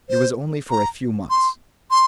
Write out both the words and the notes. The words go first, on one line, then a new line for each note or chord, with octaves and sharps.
It was only for a few months.
C5
A#5
C6
C6